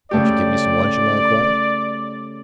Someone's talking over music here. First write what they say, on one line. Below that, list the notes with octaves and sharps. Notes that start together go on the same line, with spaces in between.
"Won't you give me some luncheon?" I inquired.
C#3 A3 G4 D5